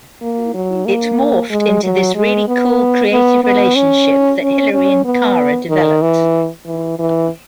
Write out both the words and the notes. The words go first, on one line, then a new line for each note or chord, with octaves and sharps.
It morphed into this really cool creative relationship that Hilary and Kara developed.
A#3
F#3
A#3
G#3
F#3
G#3
B3
B3
B3
C#4
C#4
C#4
B3
D#3
E3
E3
E3